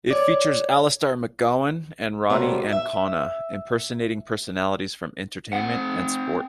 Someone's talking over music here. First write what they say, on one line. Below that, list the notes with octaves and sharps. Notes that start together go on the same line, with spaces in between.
It features Alistair McGowan and Ronni Ancona impersonating personalities from entertainment and sport.
C#5 D5
C3 F#3 G3 A3 A#3 F4
E5
C4 F#5